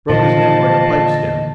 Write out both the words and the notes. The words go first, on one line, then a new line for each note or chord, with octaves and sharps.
Broke his neck like a pipe-stem.
A#2 D3 E3 F3 D#5 A5